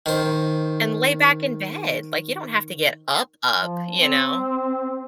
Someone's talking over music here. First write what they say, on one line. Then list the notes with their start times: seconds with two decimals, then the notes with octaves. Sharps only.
and lay back in bed. Like, you don't have to get up-up, you know?
0.06 D#3 C5
3.56 F3
3.99 C4